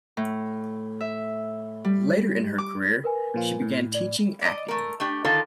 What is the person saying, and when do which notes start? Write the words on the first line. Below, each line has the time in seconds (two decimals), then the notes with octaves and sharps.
Later in her career, she began teaching acting.
0.17 A2
1.01 E5
1.84 G3
2.58 D6
3.04 A#4 B4 G#5
3.34 A#2 F3 F4
3.62 A2
3.94 D5
4.42 D5 D#5
4.68 A3 A#4
5.00 A3 D4 G4
5.25 D3 D#3 F4 A4